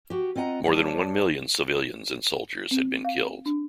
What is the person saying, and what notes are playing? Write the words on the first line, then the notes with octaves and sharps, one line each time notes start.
More than one million civilians and soldiers had been killed.
F#4 G4
C4 F4 D#5 F#5 A#5
G3 C#5 A5
C4
F5
D4